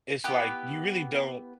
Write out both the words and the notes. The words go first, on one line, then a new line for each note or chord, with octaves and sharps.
it's like you really don't,
B3 E4 G4 B4